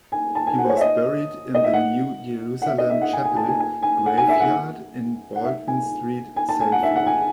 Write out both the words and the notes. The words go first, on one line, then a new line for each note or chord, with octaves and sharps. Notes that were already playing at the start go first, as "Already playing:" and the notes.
He was buried in the New Jerusalem Chapel graveyard in Bolton Street, Salford.
G#5
A5
G#5
F#5
C5
C#5
E5
D#5
D#5
E5
F#5
F#5
E5
D#5
E5
F#5
G#5
G#5
A5
G#5
G#5
G#5
F#5
G#5
E5
F#5
F#5
E5
G#5
G#5
A5
G#5
F#5
E5
F#5
G#5